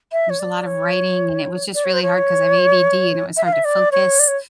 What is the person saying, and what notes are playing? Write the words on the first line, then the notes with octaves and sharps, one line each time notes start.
There's a lot of writing, and it was just really hard 'cause I have ADD, and it was hard to focus
E5
C#5
D5
C#5
D5
C#5
C5
C#5
E5
F5
E5
D5
C#5
D5
C#5